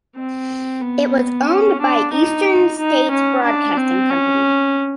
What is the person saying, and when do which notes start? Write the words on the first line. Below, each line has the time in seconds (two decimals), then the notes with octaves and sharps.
It was owned by Eastern States Broadcasting Company.
0.16 C4
0.81 B3
1.48 C#4
1.81 D4
2.13 D#4
2.79 D#4
3.11 C#4
3.44 D4
3.77 C4
4.10 C#4